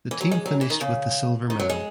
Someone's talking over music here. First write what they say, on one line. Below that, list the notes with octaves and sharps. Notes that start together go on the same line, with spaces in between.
The team finished with the silver medal.
E3
F#3
G#3
F#3
E3
D#3
C#3
D#3
F#3
G#3